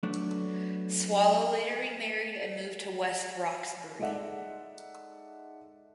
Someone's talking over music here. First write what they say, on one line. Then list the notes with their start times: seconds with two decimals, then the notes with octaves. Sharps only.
Swallow later remarried and moved to West Roxbury.
0.03 F#3 A3 B3 D4
3.99 G#3 D#4 A4 D5 E5 F#5